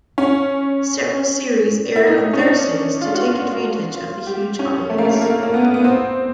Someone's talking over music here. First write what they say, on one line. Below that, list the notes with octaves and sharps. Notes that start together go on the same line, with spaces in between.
Several series aired on Thursdays to take advantage of the huge audience.
C#4
E4
D#4
C#4
D4
F4
F#4
F4
F4
G4
C#4
A3
A#3
A3
A#3
A#3
B3
B3
C4